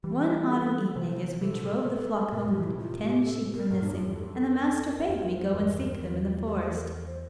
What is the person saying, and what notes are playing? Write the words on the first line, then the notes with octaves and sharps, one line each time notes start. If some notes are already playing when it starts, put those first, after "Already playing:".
One autumn evening as we drove the flock homeward ten sheep were missing, and the master bade me go and seek them in the forest.
E3 G3 G4
A4
A4
A4
C3 E3 C5
C5
C3 E3 A4
A#2 D3
A2 C3
G2 A#2 A#4
F2 A2 G4
G2 A#2
A2 C3 E4
F4
G4
A4
A#4
G2 A#2 A#4
G2 A#2 D4
F2 A2 F4
E2 G2 G4
F2 A4
A4
A#4
A4
A#4
F2 C5
A#4
C5
E2 G2 A#4
E2
G4
A4
A#4
C5